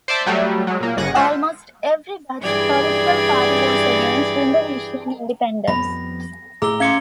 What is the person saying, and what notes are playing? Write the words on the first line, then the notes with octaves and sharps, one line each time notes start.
Almost every Dutch political party was against Indonesian independence.
C5 D5 E5 A5
F#3 G3 A3
F#3 G#3
A#2 A#3
G1 C#3 F#5 G#5 D6 A#6
G#3 F4 C5 E5 F#5
G2 E3 G#4 D5 G5 G#6
F2 G3 B3 B5 A#6
A2 G#4 A#5 E6 G7
C#4 F5 C6 D6 G#6 C#7 G7